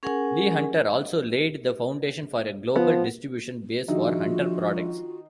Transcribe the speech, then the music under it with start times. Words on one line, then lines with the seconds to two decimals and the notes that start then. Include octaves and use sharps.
Lee Hunter also laid the foundation for a global distribution base for Hunter products.
0.03 C#4 G#4 A#4 F#5 G#5
2.76 F3 B3
3.88 D#3 F3 D4 D#4 F4 F#4 G#4 E5